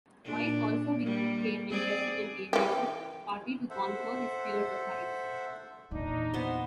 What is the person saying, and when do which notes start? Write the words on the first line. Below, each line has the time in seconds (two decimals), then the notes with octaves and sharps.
White also became interested in aviation, partly to conquer his fear of heights.
0.24 A#2 D4
1.01 G3 A#3
1.68 C4 G#4 D5
2.53 E3 G4
3.70 A4 C5 E5 F#5
5.91 E2 A#2 D4 D#4
6.34 B3 C5